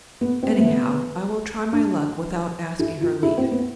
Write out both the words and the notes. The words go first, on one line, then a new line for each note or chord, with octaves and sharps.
Anyhow I will try my luck without asking her leave.
B3
C4
B3
A3
B3
D4
E4
F4
E4
C4
B3